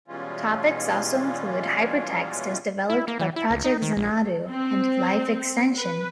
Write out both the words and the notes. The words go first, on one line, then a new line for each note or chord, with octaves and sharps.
Topics also include hypertext as developed by Project Xanadu and life extension.
B2 E3 G3 G#3 C#4 F4
E4
A#3
E3
E4
C#2
D#4
D#3
A#1
C4
B4